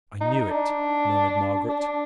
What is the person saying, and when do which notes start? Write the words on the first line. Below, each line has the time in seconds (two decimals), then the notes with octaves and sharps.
"I knew it," murmured Margaret.
0.21 D#4
0.50 D4
1.69 D4